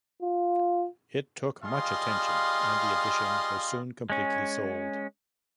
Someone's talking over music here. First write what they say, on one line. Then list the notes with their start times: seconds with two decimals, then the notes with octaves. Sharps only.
It took much attention, and the edition was soon completely sold.
0.22 F4
1.63 G3 F4 G#4 D#5 F5 C6
4.10 G#3 C#4